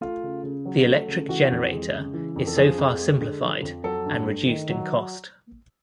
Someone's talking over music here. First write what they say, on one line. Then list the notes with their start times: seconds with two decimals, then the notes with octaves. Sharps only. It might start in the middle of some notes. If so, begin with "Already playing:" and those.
The electric generator is so far simplified, and reduced in cost.
0.01 A3 F4
0.23 C#3
0.43 C#3
0.65 F#3
0.86 A3
1.08 C#3
1.28 E3 F#4
1.51 F2
1.72 G#3
1.93 C#3
2.13 E3
2.36 F2
2.47 A4
2.57 F3 G#4
2.78 F2
2.99 G#3
3.21 D3
3.42 F3
3.62 F2
3.84 F#3 A4
4.06 G2
4.26 A3
4.48 D#3
4.70 F#3